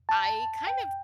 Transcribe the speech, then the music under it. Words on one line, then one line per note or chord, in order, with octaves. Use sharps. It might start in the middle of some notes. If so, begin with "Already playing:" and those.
I kind of
A5
G5